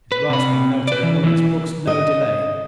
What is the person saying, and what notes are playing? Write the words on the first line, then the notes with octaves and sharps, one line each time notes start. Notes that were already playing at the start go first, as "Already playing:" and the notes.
His rasping note of annoyance brooked no delay.
B4
C3 B5
B4 D5
E3
E3 E4
D#5